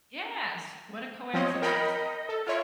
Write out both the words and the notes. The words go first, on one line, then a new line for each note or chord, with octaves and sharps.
Yes, what a coincidence.
F3 C4 C#5 D#5
A#4 D#5 G5 B5
A4
F4 C#5 E5